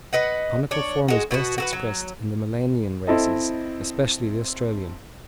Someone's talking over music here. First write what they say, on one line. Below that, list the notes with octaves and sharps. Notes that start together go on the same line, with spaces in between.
The conical form is best expressed in the Melanian races, especially the Australian.
B4 D#5 F#5
D4 C#5
G#3 F#4
B2 B3 F4 F#4
F#4 A4 B4
F#3
C4 E4 A4 D#5